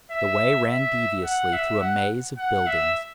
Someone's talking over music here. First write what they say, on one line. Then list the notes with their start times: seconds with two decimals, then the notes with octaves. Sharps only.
The way ran deviously through a maze of buildings.
0.11 E5
0.68 E5
1.25 F#5
1.53 E5
1.81 F#5
2.38 F#5
2.67 E5